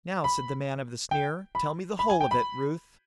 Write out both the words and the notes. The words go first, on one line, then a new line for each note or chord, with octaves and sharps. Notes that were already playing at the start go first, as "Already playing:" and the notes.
"Now," said the man of the sneer, "tell me the whole of it, Ruth."
B5
G5
B5
B5
G#5
G5
B5